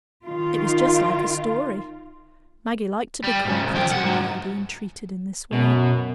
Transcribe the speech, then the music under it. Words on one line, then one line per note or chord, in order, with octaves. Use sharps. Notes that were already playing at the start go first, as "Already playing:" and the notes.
It was just like a story; Maggie liked to be called pretty lady and treated in this way.
D#3 F4
G3
G#2 C#3
C2
F3 G5
C2 F#5
G#2 F#3
F#2 B2